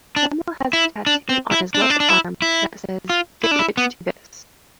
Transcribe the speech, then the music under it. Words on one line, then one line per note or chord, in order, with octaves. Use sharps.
Samuel has a tattoo on his left arm that says Get Rich To This.
D4
E4
D4
C4
E4
D4
C4
D4
D4
E4
E4
F4
E4
D4
E4
B3